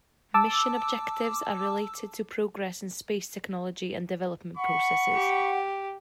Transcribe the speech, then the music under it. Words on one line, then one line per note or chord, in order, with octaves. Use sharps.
Mission objectives are related to progress in space technology and development processes.
A5 D6 E6
F#5 B5 C#6
G4